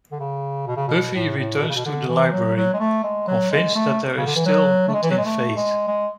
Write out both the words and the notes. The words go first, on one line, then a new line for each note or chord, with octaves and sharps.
Buffy returns to the library, convinced that there is still good in Faith.
D3
C#3
B2
C#3
B2
A2
A2
B2
C#3
B2
D3
E3
F#3
F#3
G#3
A3
G#3
F#3
G#3
A3
C#3
D3
E3
F#3
A3
G#3
E3
F#3
G#3
A3
G#3
G#3